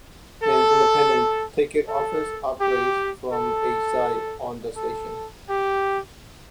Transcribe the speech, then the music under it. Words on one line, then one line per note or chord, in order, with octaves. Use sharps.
An independent ticket office operates from a site on the station.
A4
A4
G4
A4
A4
G4